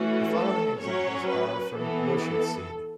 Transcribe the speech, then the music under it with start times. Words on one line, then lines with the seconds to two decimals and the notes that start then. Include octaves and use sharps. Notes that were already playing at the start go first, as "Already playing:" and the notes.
The following examples are from Lushootseed.
Already playing: E3 A3 C#4 F#4
0.32 A4
0.81 F#3 C#4 C#5
1.28 B4
1.76 E3 B3 A4
2.23 A4